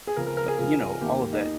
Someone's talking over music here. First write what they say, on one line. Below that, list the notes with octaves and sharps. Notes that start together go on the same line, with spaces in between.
But, you know, all of that
G#4
C#2 C#3 F3 C4 A#4
A#4
A#4
G#4
C#2 C#3 F3 C4 G#4
D#2 D#3 A#3 G4
D#4